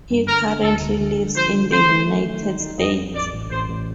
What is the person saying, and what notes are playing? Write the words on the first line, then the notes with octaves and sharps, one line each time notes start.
He currently lives in the United States.
G2
D3 A#4
D3
D2 A4
D2
D3
D3
F3 C5
D3
A3 C5
A3
A3
D#3
D#4
D#4
F2 D#5
F2
A1 D5
A1
A1 C5
A1